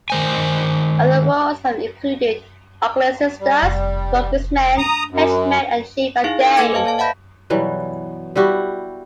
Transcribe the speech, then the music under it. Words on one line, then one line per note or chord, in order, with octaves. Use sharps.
Other roles have included: Ugly Sisters, Broker's Men, Henchmen and Chief and Dame.
D#3 C5 G#5
G3
F1
A3 D4 A#5 D#6
F#2
D#4 E4 G#4 F5
A#4
A#3 A4 G#5 D6 G#6 C#7
B4 C5 D#5 F5 A5
D5 F5 A5
E5 F#5 A5 B5 G6 A#6
B2 E3 F#3 G3
G3 E4 F#4 G4